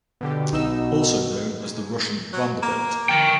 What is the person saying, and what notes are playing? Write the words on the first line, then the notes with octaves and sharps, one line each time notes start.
Also known as the Russian Vanderbilt.
B2 D3 G4
B1 B2 D#4 E6
G#2
F#3
A#3
A#4 G5